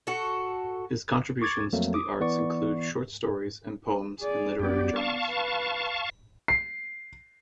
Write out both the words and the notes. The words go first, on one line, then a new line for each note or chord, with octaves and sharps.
His contributions to the arts include short stories and poems in literary journals.
F#4 A4
C#6 D6 G#6 A6
F2 F#3 A3 A#3
D6 D#6
E3 B3 D5 C#6
G#4 D5
F#2 B3 G4 D5
F5 A5 C#6
B4
C7